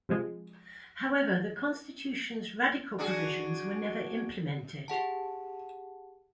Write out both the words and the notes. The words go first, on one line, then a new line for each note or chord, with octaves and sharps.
However, the Constitution's radical provisions were never implemented.
C3 F3 G#3
D4 F#4 G#4
G4 G#4 F#5 A5